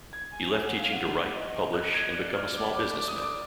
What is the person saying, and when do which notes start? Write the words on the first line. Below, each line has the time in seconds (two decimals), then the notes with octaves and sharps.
He left teaching to write, publish and become a small businessman.
0.13 G#6
0.32 G#5
0.53 G#5
0.66 F#5
0.79 F5
0.93 F#5
1.34 D#5
1.73 F#6
1.94 G#6
2.14 D5 F#6
2.35 F6
2.54 D6
2.64 B5
2.74 D6
2.95 D6
3.08 D#6
3.22 D6